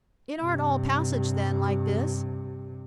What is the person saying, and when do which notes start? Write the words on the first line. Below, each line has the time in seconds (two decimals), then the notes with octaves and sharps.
"It aren't all passage, then, like this?"
0.40 G2 C3